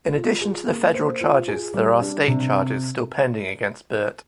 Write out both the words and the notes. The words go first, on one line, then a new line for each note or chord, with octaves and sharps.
In addition to the federal charges, there are state charges still pending against Burt.
F4
G#4
A#3
C5
F4
G#4
G3
D4
C3